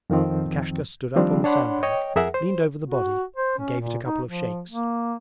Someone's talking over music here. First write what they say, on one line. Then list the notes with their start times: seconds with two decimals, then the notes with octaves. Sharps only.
Lukashka stood up on the sandbank, leaned over the body, and gave it a couple of shakes.
0.10 F2 D#3 F3 C4
1.16 D#3 F3 G3 C4 D4
1.44 D4 C#5 F#5 B5 C6
1.83 C#5 D#5 G5
2.16 F2 G#4 A#4 E5 F#5
2.34 C5
2.88 F#4
3.36 C5
3.58 C#4
3.80 A#2
4.04 D#4
4.25 F3
4.69 A#3